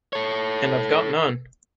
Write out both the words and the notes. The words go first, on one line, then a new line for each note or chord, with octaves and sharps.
And I’ve got none.
A4 C#5